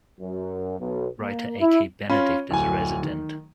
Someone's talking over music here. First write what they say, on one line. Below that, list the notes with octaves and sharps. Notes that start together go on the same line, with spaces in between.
Writer A. K. Benedict is a resident.
F#2
B1
A#3
E4
C#4 F4 B5
D1 G#5
D#3